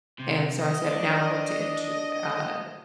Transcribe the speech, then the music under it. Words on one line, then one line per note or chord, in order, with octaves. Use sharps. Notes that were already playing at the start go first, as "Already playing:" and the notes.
and so I said, “Now I want to enter “uh,
C3
D#5
D4